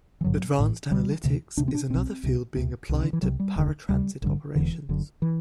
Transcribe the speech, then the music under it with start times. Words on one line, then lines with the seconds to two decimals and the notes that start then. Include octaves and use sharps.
Advanced analytics is another field being applied to paratransit operations.
0.21 E3
0.24 A1 G2 D3 F#3
0.58 A1 A2
0.91 D2 D3 G3
1.24 D2 C3
1.57 D2 C3 D4
1.68 C4
1.74 D4
1.90 B1 B2 C4
2.23 C2 C3
2.56 D2 C3
2.89 C2 C3
3.02 D3
3.13 E3
3.22 C2 C3 F#3
3.40 G3
3.56 E1 D2 D3
3.89 D2 C3 G3
4.22 A1 G2 D3
4.55 E1 E2 D3 E3
4.89 F#1 F#2 D3
5.22 E3